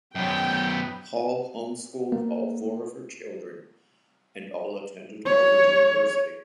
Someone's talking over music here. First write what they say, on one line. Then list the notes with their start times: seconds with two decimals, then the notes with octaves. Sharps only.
Hall home-schooled all four of her children and all attended Harvard University.
0.15 F#2 B3 G5
2.12 A#3
5.26 C#5